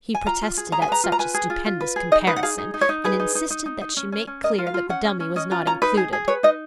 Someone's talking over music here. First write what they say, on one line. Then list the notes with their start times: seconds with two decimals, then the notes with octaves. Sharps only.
He protested at such a stupendous comparison, and insisted that she make clear that the dummy was not included.
0.15 G#5
0.26 F4 A#5
0.42 F4
0.57 G#4
0.72 G#4 A#5
0.82 G#5
0.88 B4 A#5
1.04 F4
1.12 A#5
1.19 B4 G#5
1.34 G#4
1.50 F4
1.66 F4
1.80 B4
1.96 G#4
2.12 D#4 D#5
2.27 D#4 B4
2.36 F#5
2.43 G#4 F5
2.58 D#4
2.74 D#4
2.81 C#5
2.89 D#4
3.04 G#4 B4
3.20 D#4
3.35 D#4
3.50 D#4
3.66 D#4
3.81 D#4
3.97 C#4
4.12 C#4
4.27 C#4
4.43 A#4 D#5
4.58 F4
4.67 F5
4.74 F4
4.89 C#4 F#5
5.05 C#4
5.20 C#4
5.36 C#4 D#5
5.51 F4 A#5
5.66 C#4 A#5
5.82 D#4 B4
5.97 G#4
6.13 G#4
6.28 B4 C#5
6.43 D#4 D#5